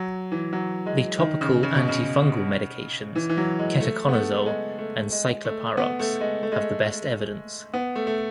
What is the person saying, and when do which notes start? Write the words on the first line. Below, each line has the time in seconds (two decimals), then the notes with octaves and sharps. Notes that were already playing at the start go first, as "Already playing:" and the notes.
The topical antifungal medications ketoconazole and ciclopirox have the best evidence.
Already playing: F#3
0.32 E3
0.53 F#3
0.86 G#3
1.19 D#3
1.41 C#3
1.63 C#3
1.75 B2
1.88 C#3
3.15 E3
3.29 E3
3.37 F#3
3.59 G#3
3.80 A3
4.09 B3
4.14 A3
4.46 G#3
4.78 A3
5.12 G#3
5.45 A3
5.77 B3
5.99 A3
6.21 G#3
6.43 A3
6.52 G#3
6.61 A3
7.74 B3
7.95 A3
8.07 A3